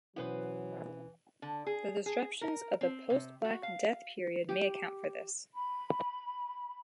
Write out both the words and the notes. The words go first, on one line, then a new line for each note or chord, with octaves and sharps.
The disruptions of the post-Black Death period may account for this.
B2 E3 F#3 B3 C#4 E4 B4 C5
D3
G#4
G#4
A#4
C4
C3
F#4
F5
G4
B5